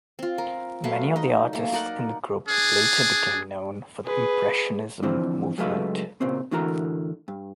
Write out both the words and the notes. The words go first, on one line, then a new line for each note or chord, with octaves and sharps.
Many of the artists in the group later became known for the Impressionism movement.
C4 F4
A#4
F#3 A3 B4 F5
D#4 D#5
A3 A#3
D#4 A#4 D5 F#5
D4 G#4
G#4 B4
D3 E3 F3 C4
C#2 F#3 G#3 A3 B4 F5
A#2 C#3 C4
A2 D3 E3 F#4 A#4 A#5
G2